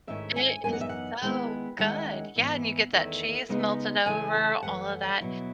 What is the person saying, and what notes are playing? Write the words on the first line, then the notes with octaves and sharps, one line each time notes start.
It is so good. Yeah and you get that cheese melted over, all of that.
G#2 D#3 A3 C#4 E4 E5
G#5
F#2 E3 B3 D#4 G#5
F#5
E5
F#5
D#3 G#3 B3 E4
D#2 D#3 G#3 C#4 E4 F#5
G#2 E3 B3 E4
E2 D#3 A3 E4
C#3 G#3 B3 D#4
C#3 E3 A3 E4 G#5
A5
F#2 E3 A3 C#4 F#5
B2 F#3 B3 E4